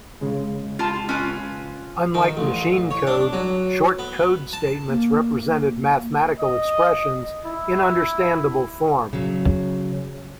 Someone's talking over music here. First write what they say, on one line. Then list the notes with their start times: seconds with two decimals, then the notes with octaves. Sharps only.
Unlike machine code, Short Code statements represented mathematical expressions in understandable form.
0.21 C#3 G#3
0.79 F4 A5
1.09 C#4 F4 B4
2.14 D#3
2.37 A1
2.91 C#5
3.07 D4
3.33 F#3
3.99 B3
4.53 A5
4.88 A#3
6.40 D#5
7.46 E4
9.13 C#3 F#3